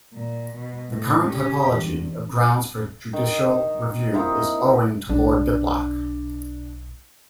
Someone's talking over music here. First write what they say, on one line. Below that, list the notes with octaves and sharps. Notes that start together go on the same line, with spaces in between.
The current typology of grounds for judicial review is owing to Lord Diplock.
A#2
B2
A2
C#4 G4
E2
D#3
A#3 C4 D#4 E4
B1 D4